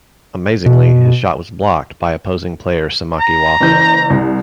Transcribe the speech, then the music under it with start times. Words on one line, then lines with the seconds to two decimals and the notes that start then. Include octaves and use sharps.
Amazingly, his shot was blocked by opposing player Samaki Walker.
0.66 B2
3.19 A#5
3.60 F#1 E3 G6
4.10 C2